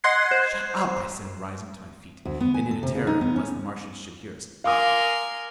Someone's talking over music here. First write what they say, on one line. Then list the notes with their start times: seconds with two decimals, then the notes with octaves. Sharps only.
"Shut up!" I said, rising to my feet, and in a terror lest the Martians should hear us.
0.04 D#5 F#5 C6 F#6 G#6 C7
0.31 C5
2.25 D2
2.40 B3
2.54 G#5
2.71 A4
2.83 C3
2.95 C#3
3.07 D#4
3.21 B3
3.36 C#4
4.64 A#4 F5 G#5 C6 D6 D#6